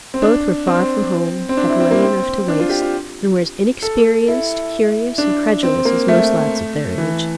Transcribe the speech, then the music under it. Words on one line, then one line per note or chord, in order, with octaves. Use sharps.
Both were far from home, had money enough to waste, and were as inexperienced, curious, and credulous as most lads of their age.
C4
D4
C4
C4
D4
E4
C4
A#3
C4
D4
F4
G4
F4
A4
E4
D4
C4
A#3
A3
E3